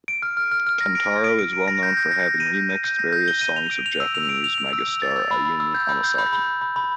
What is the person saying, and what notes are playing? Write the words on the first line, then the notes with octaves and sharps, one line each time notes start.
Kentaro is well known for having remixed various songs of Japanese megastar Ayumi Hamasaki.
D7
F6
F6
F6
F6
A#6
D7
D7
D7
D7
D7
A#6
G6
G6
A#6
A#6
D#7
G6
D#7
G6
A#6
G6
G7
D#7
F7
D7
F7
E6
F7
D7
F7
F7
E6
F7
A6
E6
B5
B5
E6
G6
B5
G6
B5
B5
B5
B5
B5